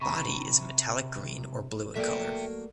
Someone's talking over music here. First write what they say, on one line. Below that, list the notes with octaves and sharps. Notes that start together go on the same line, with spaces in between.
Body is metallic green or blue in color.
C3 A#5 B5 C#6
F#3 A3 A#3 A4 D5 E5 G5